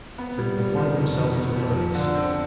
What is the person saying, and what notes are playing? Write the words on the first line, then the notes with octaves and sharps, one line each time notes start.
So he confined himself to words.
B3
G3
G3
D#3
F2
D#3
B3
F2
F3
D3
C4